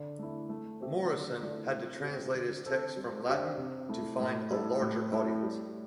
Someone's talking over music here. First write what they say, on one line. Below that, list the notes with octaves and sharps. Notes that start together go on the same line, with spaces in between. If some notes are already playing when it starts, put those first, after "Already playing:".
Moryson had to translate his texts from Latin to find a larger audience.
Already playing: D3
A3 E4
A3
C4 G4 E5
D3
A3 E4 A4 D5
C4
G4 C5
D3
C4 A4 C5
G3
D4 G4 C5 E5
C3
A3 E4
A2
G3 E4 A4
A2
A3 E4
G3